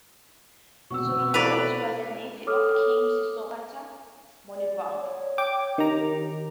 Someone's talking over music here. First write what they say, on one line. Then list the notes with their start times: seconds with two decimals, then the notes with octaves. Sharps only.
Suramarit was a nephew of King Sisowath Monivong.
0.91 B2 B3 C4 C#6 E6
1.34 E4 G4 A4 B4 C5 D5 B6 F7
2.47 A4 C#5 D6 D#6 F6
4.53 D5
5.00 C#5
5.38 G5 D6
5.78 D#3 G4 A#5